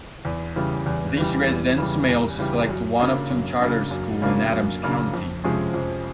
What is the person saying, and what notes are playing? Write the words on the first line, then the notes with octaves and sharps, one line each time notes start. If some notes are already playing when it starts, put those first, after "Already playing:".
These residents may also select one of two charter schools in Adams County.
E2
C#3 E3 G3
E2
C#3 E3 G3
E2
C#3 E3 G3
E2
C#3 E3 G3
F#2
C#3 F#3 A#3 D4
F#2
C#3 F#3 A#3 D4
F#2
C#3 F#3 A#3 D4
F#2
C#3 F#3 A#3 D4
F2
C3 F3 G#3 C#4
F2